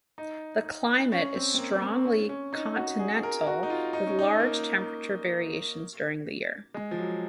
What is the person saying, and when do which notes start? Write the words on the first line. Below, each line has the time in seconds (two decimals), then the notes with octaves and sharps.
The climate is strongly continental with large temperature variations during the year.
0.18 D#4
1.12 C#4
1.35 C4
1.54 C4
1.59 A#3
1.83 C4
2.05 C#4
2.29 C#4
2.53 D#4
2.76 F#4
2.99 G#4
3.23 A#4
3.47 F#4
3.63 D#4
3.70 F4
3.93 D#4
4.06 C#4
4.19 D#4
4.40 A#3
6.74 G#3
6.91 F3
6.99 F#3